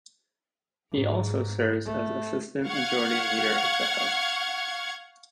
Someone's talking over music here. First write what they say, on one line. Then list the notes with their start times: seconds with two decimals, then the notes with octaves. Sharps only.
He also serves as Assistant Majority Leader of the House.
0.91 G#2
1.85 A3
2.67 F5 F#5 C#6 F6 G#6